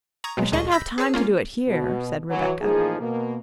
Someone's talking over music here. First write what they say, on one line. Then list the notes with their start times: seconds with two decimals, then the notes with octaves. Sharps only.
"I shan't have time to do it here," said Rebecca.
0.24 A#5 C#6 D#6 G#6
0.37 B2 F#3 G#3
0.52 D2 A#2 G#4 D#5 A5 C#6
0.72 B5 E6 G6 A#6 B6
0.98 G#4 B4 C#5 A5 E6
1.14 A#3 C#4 F4
1.67 B2
2.29 E3 F#3
2.61 A1 F3 A#3 D#4 G#4
3.00 B2 A#3